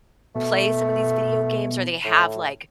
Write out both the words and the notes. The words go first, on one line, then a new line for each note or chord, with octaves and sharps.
play some of these video games, or they have, like,
B2 A3
A2